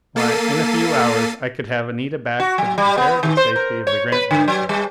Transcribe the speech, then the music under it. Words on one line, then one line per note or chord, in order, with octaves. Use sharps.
Why, in a few hours I could have Anita back to the comparative safety of the Grantline camp.
A#3 A4 A6 B6 C7 D#7
F#4
F#3
G3
B3
D#3
C5
A#4
C#5
B4
D3
F#3
G3